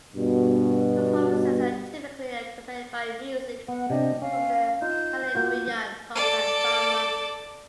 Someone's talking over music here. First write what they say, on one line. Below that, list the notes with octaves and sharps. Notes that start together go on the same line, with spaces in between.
Performances are typically accompanied by music from the Paraguayan polka genre.
G2 B2
B3 F#5
C3 D4 G4 D#5
C#4 F5
D#4 F4 G6
A#3 F4 F#4
A4 D5